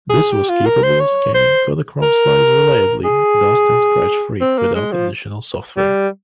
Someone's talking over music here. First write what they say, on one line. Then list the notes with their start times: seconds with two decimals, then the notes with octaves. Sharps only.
This was capable of scanning Kodachrome slides reliably, dust- and scratch-free, without additional software.
0.09 G#4
0.32 G4
0.49 F4
0.66 A#4
0.83 C5
1.00 C#5
1.34 C5
2.02 A#4
3.04 G#4
4.41 C4
4.58 A#3
4.75 G#3
4.92 F3
5.77 G3